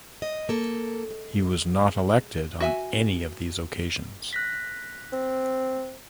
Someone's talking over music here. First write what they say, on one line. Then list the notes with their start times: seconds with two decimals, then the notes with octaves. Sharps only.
He was not elected on any of these occasions.
0.22 D#5
0.49 A#3 A4
1.10 G#3
2.60 F#4 E5 G#5
4.33 F#6 A#6 B6
5.13 C4